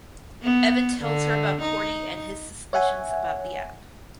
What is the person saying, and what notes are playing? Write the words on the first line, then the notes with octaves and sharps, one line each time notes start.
Evan tells her about Courtney and his suspicions about the app.
B3
D3
D#4
C#5 E5 F#5 G#5